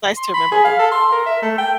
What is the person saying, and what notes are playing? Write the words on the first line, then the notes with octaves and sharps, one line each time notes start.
nice to remember them.
C6
B5
G#4
F5
A4
C6
A#4
E5
A3
G5